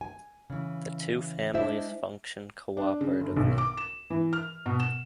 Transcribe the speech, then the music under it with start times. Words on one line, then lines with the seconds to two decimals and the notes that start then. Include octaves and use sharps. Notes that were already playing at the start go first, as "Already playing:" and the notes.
The two families function cooperatively.
0.01 G#5
0.50 C#3 E3
1.54 G#3 D4 E4 C5 E5
2.77 D4
3.01 C#3
3.21 G1
3.37 B1
3.58 D6
3.77 E7
4.10 E3
4.33 F6
4.66 B2
4.80 E7